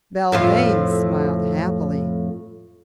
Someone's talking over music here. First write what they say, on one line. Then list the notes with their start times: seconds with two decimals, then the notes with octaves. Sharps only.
Belvane smiled happily.
0.32 F2 A2 F4